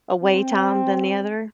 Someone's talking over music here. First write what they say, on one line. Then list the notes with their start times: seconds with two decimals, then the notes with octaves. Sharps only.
away time than the other?
0.23 C4